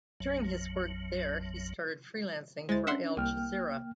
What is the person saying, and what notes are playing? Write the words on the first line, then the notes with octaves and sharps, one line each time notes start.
During his work there, he started freelancing for Al Jazeera.
A1 F2 F#3
D2 G#3 E4 C5 A6
C#4 D4 E5 F#5 C6
C2 A#3 G5 F6